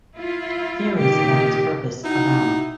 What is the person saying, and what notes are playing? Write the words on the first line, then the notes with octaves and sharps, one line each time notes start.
Theories about its purpose abound.
E4 F4
A#2 D#3 A#3 G4
D#4 E4 F#4